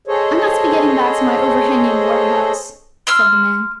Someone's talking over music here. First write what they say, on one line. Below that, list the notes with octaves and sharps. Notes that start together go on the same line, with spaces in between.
"I must be getting back to my overhanging warehouse," said the man.
G#4 A4 C5 C#5 D#5
C6 E6 F6